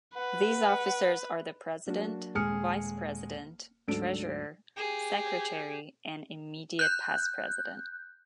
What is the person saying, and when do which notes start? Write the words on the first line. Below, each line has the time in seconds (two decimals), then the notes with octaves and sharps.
These officers are the President, Vice President, Treasurer, Secretary, and Immediate Past President.
0.15 B4 F#5
1.87 F#3 A#3 D4 F#4
2.35 D#1 G#3 G#4 G#5 F6 C#7
3.87 D2 G#2 F#3 D4 A4 D7
4.77 G4 G#4
6.79 F#6 G6